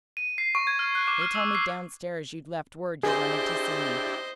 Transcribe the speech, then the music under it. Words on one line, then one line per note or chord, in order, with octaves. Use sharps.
"They told me down-stairs you'd left word you wanted to see me."
D#7
C7
C#6
G#6
F6
F#6
D6
F6
E6
C7
D4 E4 G4 G#4 C5 D#5